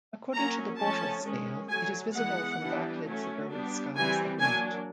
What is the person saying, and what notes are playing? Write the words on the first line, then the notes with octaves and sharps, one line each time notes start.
According to the Bortle scale, it is visible from backlit suburban skies at night.
F#3 A#3 C#4 A#5
F3 A3 C#4 A5
D#3 G#3 C#4
D3 F#3 A3 G#5
E3 G#3 B3 F#5
E3 G3 B3 D4
F#3 A3 C#4
G3 B3 D4
E3 G3 C4 G#5
F#3 A#3 D4 G#5